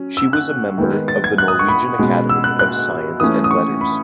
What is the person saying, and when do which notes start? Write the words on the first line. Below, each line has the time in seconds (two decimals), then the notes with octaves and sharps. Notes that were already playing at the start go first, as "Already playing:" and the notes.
She was a member of the Norwegian Academy of Science and Letters.
Already playing: F#3 C#4
0.17 E6
0.33 F#6
0.78 D#3 G#3 B3
1.08 A6
1.24 G#6
1.38 F#6
1.48 D#6
1.59 C#6
1.68 B5
1.99 B2 G#3 C#4
2.29 E6
2.44 F#6
2.59 F#6
3.20 E3 A3 C#4 D#6
3.44 D#6
3.51 C#6
3.81 B5